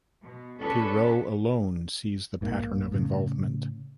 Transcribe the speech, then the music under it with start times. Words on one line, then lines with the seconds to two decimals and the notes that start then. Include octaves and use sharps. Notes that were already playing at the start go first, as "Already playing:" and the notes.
Poirot alone sees the pattern of involvement.
0.24 B2
0.59 C#4 D4 G#4 A4 B4 C#5
2.41 A#1 G#2 D3 A#3
2.92 A2 C#3